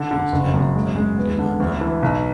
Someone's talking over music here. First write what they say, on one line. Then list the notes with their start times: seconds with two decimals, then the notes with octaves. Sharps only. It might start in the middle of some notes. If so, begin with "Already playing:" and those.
Just Heavens, I do not know.
Already playing: D3
0.11 D3
0.32 F#1
0.54 F#2
0.75 G#3
0.96 G#3
1.17 B3
1.39 D3
1.60 D2
1.81 E3
2.02 B1